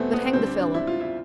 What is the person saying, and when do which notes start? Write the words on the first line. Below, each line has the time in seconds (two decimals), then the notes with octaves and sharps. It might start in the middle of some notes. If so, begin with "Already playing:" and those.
But, hang the fellow!
Already playing: E2 B2 G3 A3 B3 C4
0.13 B3
0.33 D2 D3 G3 C4
0.47 D4
0.61 D4
0.74 E4
0.87 F4
1.01 E4